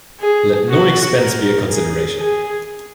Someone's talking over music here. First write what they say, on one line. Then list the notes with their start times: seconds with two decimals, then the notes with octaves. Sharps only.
Let no expense be a consideration.
0.21 G#4
0.70 F#4
1.19 A#4
1.69 G#4
2.18 G#4